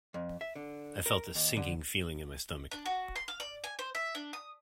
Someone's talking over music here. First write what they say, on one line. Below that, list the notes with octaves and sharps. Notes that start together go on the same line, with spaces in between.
I felt a sinking feeling in my stomach.
F2
E5
D3
A#4
D#2
D3
D4
F#4
C6
F5
D5
G#5
C5
E5
D4
D#6